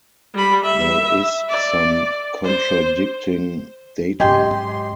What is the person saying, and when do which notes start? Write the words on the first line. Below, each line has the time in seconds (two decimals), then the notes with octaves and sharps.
There is some contradicting data.
0.35 G3 B5
0.64 E5
1.49 D5
2.44 C5
4.20 G#2 F#3 C#4 G4 D#5 G5 C6